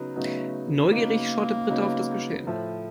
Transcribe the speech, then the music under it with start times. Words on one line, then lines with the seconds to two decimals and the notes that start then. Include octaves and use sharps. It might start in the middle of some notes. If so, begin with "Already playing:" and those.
Neugierig schaute Britta auf das Geschehen.
Already playing: C#3 F#3 B3 D#4
0.15 C#3 F#3 A3 B3 D#4
0.92 C#3 F#3 A#3 B3 D#4
1.69 C#3 F#3 B3 D#4
2.47 A2 F3 A3